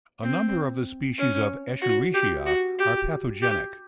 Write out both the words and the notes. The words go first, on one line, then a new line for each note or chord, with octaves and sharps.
A number of the species of "Escherichia" are pathogenic.
C4
C#4
F#4
G4
F#4
G4
G4